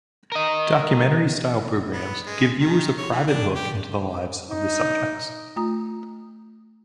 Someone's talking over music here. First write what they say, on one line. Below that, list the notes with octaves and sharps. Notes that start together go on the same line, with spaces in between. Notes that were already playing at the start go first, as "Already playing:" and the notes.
Documentary-style programs give viewers a private look into the lives of the subjects.
A#4 D#5
B3
G#3
D#3
C#5
E3
D4
G4
D#4
A3 F4 A#5 D#6